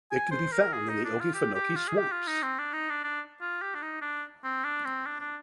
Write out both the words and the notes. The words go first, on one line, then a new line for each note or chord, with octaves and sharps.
It can be found in the Okefenokee swamps.
G#5
C5
A#4
G#4
D#4
D4
F4
G4
G4
F4
G#4
G4
F4
D#4
C4
D4
D#4
D4
D4
F4
G4
D4
D#4
D4
C4
D4
C4
D4
D4